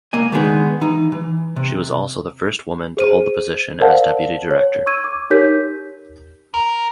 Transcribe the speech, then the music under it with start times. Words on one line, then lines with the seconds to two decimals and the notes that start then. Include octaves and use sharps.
She was also the first woman to hold the position as deputy director.
0.13 C#2 A#3 D#5 G#5
0.32 D#3 G#3 B3 D4 D#4 G#4
0.81 E3 D#4
1.12 E3
1.56 C3
2.97 G#4 C5 D#7
3.81 A#4 C5 D5 F5 F#5 A5
4.51 C#5
4.86 C#6 E6 G#6 D#7
5.04 D6
5.30 D#4 G4 A#4 C#5 G6 B6
6.54 A#4